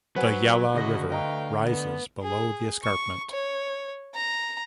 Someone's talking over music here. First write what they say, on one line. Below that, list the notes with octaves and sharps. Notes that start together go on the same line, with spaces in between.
The Yala River rises below the escarpment.
F#3 B4 C5 F#5 G#5
D2 C#3 F#4 D#5 A#6
D#5 F5 G5 A#5 C#6
B3
G#4
C#6
C#5
A#5